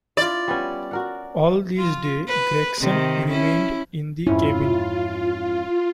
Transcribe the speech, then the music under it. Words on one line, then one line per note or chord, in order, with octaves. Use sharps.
All this day Gregson remained in the cabin.
E4 F4 D5
G3 B3 C#4
F#4 A#4 F#5
F4
B4
C3 D#3
C#4 E4
F2 G#2 C#4 E4 F4